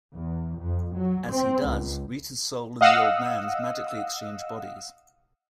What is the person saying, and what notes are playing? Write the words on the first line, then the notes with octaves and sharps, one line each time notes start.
As he does, Rita's soul and the old man's magically exchange bodies.
E2
F2
F#3
C4
C#2
D#5 F5 F#5 D#6 E6